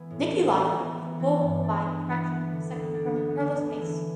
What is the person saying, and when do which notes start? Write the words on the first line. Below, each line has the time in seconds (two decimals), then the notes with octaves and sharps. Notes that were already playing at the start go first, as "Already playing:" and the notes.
Niki Lauda took pole by a fraction of a second from Carlos Pace.
Already playing: E3 B3
0.10 A2
0.32 A2
0.54 B3
0.77 E3
0.97 B3
1.20 E3
1.42 G2
1.64 D4
1.85 B3
2.07 E3
2.28 B3
2.51 D3
2.72 D2
2.94 D4
3.16 B3
3.37 D3
3.59 B3
3.81 E3